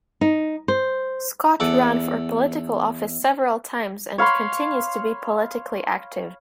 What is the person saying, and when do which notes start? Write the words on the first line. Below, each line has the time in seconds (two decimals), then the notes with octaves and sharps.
Scott ran for political office several times and continues to be politically active.
0.21 D#4
0.68 C5
1.60 E2 A4 F#5 D6
4.18 C#5 F5 B5 C6